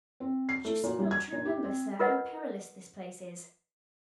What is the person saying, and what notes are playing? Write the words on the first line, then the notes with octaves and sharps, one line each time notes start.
But you seem not to remember, sir, how perilous this place is.'
C4
C7
A3
A#2
G3
G#6
A#2
G4
C4
F4 A#4 B4 D#5 F#5